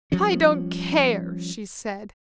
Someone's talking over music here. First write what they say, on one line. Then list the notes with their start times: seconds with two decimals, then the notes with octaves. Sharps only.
"I don't care," she said.
0.12 F3 G3 C#4